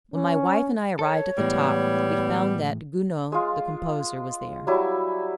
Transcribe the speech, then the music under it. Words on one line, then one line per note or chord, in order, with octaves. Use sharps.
When my wife and I arrived at the top, we found that Gounod, the composer, was there.
C#4
A4 C#5
A2 E3 G3 G#3 B3
G#3 F4
F#3 G3 E4